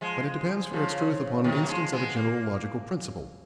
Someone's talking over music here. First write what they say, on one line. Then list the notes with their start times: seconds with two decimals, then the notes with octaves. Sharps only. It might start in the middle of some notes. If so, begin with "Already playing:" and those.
But it depends for its truth upon an instance of a general logical principle.
0.01 F3 G#3
0.73 C#3 F3
1.44 B2 D#3
1.63 A#3
1.68 F3 G#3
1.92 G#3 B3
2.16 A#3